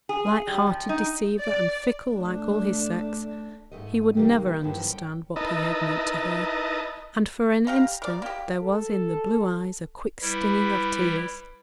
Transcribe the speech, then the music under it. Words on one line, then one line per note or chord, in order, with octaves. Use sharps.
Lighthearted deceiver and fickle like all his sex he would never understand what he had meant to her and for an instant there was in the blue eyes a quick stinging of tears.
G#4
G3
F3
D#4
D5
A3 D4
G#2 C3 A3 D#5
C3 D#3 G3 A#3
G2 D3 D#3 F3 B3 E4
C#4 G5
D#4 E4 A#4 B4 D#5 A5
G4 F5 A#5
A#4 D5
A#3 G4
A4
G3 E4 B4